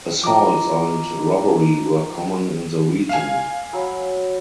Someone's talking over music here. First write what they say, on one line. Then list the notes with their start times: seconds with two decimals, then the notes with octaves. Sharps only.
Assaults and robbery were common in the region.
0.24 F3 F4 D#5 A#5 D6
3.09 F5 G#5
3.73 F#3 B5 E6